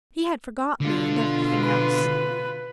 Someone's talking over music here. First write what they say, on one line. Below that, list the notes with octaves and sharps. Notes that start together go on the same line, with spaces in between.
He had forgot me and everything else.
B2 D3 F4
B4